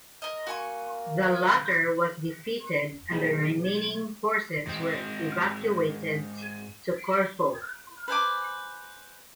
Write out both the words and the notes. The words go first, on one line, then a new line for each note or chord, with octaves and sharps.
The latter was defeated and the remaining forces were evacuated to Corfu.
A#4 D#5
A#3 F#4 G#5 C#6
B1 A#3 D#4 G#4 B5
G#2 C4
B4 C5 G#5 D6